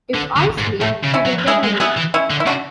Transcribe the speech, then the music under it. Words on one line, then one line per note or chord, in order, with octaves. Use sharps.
If I sleep — he will get away.
D3
D3
G#2
A2 A3
C#3
C#4 E4
F#3
G#3 E4 G#4
G#3
B3 E4 G#4
E3
C#4 E4
D3
E4
C#3 D4 F#4